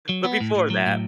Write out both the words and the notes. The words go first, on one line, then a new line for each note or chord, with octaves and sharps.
but before that,
F#3
B3
A2
A2
F#3
A2